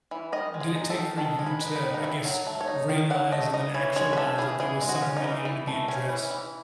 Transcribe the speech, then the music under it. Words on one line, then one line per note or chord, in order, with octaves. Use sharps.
did it take for you to, I guess, realize and then actualize that there was something that needed to be addressed?
E3
D#3 D#5
G#3
G#4
D#4
A4
D#3
D#3 A4
G#3
B4
D#4
B4
D#3
D#4
D#3 E4
F#3
A3
C#5
D#4
D#3
F#3 F#5
A3 D#5
D#4 D#5
E3 C#5
G#3 C#5
B4
C#4 A4
E3 G#4
E3 G#4
G#3
F#4
C#4
D#4
E3
E3
A3
C#4
E3
E3